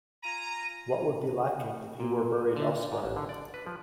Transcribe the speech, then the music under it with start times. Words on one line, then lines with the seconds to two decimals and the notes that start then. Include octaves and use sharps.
What would be lacking if he were buried elsewhere?
0.23 F4 G#5 A#5 D#7
2.00 A#2
2.56 D3
2.92 G#2
3.04 A1
3.16 D3
3.29 D5
3.54 B4
3.66 F3